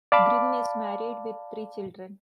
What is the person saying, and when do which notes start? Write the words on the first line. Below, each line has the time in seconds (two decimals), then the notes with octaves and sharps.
Grimm is married, with three children.
0.12 D5 F5 A5 B5 D6